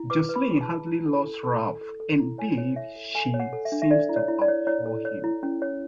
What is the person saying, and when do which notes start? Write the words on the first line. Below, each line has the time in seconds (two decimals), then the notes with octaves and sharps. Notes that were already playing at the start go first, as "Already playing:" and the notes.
Jocelyn hardly loves Ralph - indeed, she seems to abhor him.
Already playing: E4
0.10 B4 D6
0.29 B4
0.36 B5
0.48 G#4
0.61 A5
0.68 E4
0.87 E4
1.06 A4
1.25 A4
1.43 A4
1.63 A4
1.81 A4
2.00 A4
2.20 E4
2.38 C#5 G#5
2.58 C#5
2.76 C#5 E5
2.96 A4
3.15 A4 G#5
3.34 C#5
3.40 F#5
3.53 A4
3.65 E5
3.72 D4
3.82 E5
3.90 A4 D5
4.09 E4
4.16 C#5
4.28 E4
4.42 D5
4.48 C#5
4.67 E4 C#5
4.86 A4
5.05 C#5
5.24 E4
5.43 C#4
5.62 C#5